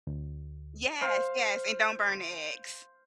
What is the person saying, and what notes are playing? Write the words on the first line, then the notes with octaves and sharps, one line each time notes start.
Yes, yes, and don't burn the eggs.
D2
C5 F5